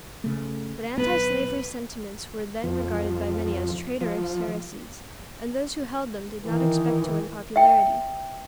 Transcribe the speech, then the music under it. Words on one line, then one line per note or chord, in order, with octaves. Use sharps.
But antislavery sentiments were then regarded by many as traitorous heresies; and those who held them did not expect to win popularity.
C#3 A3
D#1 B1 B3 B4
F2
F3
D#3 E3
E5 G5